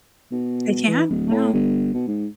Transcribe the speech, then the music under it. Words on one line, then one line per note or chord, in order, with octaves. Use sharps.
They can, yeah.
B2
E3
D1
A2
G1
B2
G#2